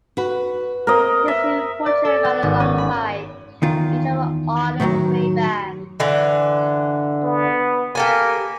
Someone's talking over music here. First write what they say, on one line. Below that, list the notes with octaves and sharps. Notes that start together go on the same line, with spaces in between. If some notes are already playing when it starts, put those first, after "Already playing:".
This new project ran alongside each of the artists' main bands.
F#4 B4
A#3 C4 A#4 D#5
E5
D5
A4
B3
G#1
C#4
B5
E2 D#3 F4
A2 D#3 E3 F#3
D3 E3
B3
A#3 G4 A4 G#5